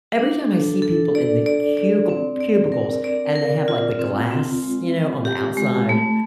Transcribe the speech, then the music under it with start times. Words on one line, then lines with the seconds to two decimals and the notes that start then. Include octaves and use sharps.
every time I see people in the cugil cubicles and they have, like, the glass, you know, on the outside,
0.19 D4
0.51 A4
0.82 A4
1.15 D5
1.46 D5
1.77 D5
2.09 C4
2.41 D5
2.72 A#4
3.04 D5
3.36 A#4
3.68 F4
3.99 C4
4.31 C4
4.62 G#3
4.94 C4
5.25 G4
5.57 G#3
5.89 A3